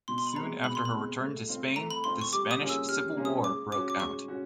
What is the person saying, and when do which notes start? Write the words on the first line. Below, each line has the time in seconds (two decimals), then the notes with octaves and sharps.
Soon after her return to Spain, the Spanish civil war broke out.
0.08 B2 C6
0.18 C6
0.27 B5
0.36 G#3 C4 A#5
0.64 B2 B5
0.75 C6
0.85 B5
0.93 G#3 C4
1.20 A3
1.48 C4 F4
1.76 A3 A#5
1.91 B5
2.04 C4 F4 C6
2.21 C#6
2.32 G3 D6
2.51 D#6
2.60 A#3 C#4 F4 G#4
2.69 E6
2.88 G3 F6
3.16 A#3 C#4 F4 G#4
3.25 D#6
3.44 G#3 D6
3.72 C#4 F#4 D6
3.90 D6
4.00 G#3 C#6
4.28 C#4 F#4